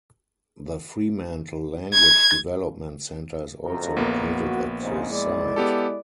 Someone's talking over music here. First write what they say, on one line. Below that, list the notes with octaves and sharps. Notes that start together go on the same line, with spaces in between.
The Fremantle Language Development Centre is also located at the site.
G#6
F#1 F2 A#5
A#1 A#3 B3
F#4
C2 G#2 C#3
G#3 E4 D5
B3 G4 A4